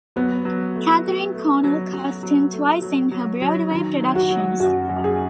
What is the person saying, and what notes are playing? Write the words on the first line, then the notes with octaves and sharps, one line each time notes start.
Katharine Cornell cast him twice in her Broadway productions.
F#3 B3
F#3
A3
A3
A3
F#3
F#3
F#3
A3
F#3
F#3
F#3
D#3
F#3
F#4
F#3
F#2 F#4
F#2
G#4